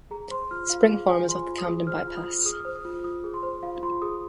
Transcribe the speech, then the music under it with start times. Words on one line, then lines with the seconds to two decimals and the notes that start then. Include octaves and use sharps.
Spring Farm is off the Camden Bypass.
0.11 G#4 A#5
0.30 C5 C6
0.51 F4 F6
0.70 F4 F5
0.89 G#4 F5
1.10 C5 G#5
1.29 F4 C6
1.49 F4
1.58 D#6
1.67 G#4
1.87 C5 F6
2.07 F4
2.17 D#6
2.26 F4
2.46 G#4 D#6
2.52 F6
2.60 D#6
2.65 C5
2.75 D#6
2.85 F4
3.04 F4 D#6
3.24 G#4
3.34 C6
3.43 C5
3.63 F4 F5
3.83 F4 C6
4.02 G#4 D#6